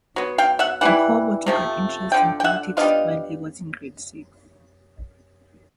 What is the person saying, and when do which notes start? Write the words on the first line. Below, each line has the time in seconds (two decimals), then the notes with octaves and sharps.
Ngcobo took an interest in politics while he was in grade six.
0.16 F#3 B3
0.38 F5 G5
0.59 E5 F#5
0.81 E3 G3 E4 F#5
1.46 C3 F3 A3
2.12 D3 F3 G5
2.40 G5
2.44 E5 F#5
2.77 G3 B3 D4 F4 D#5 F5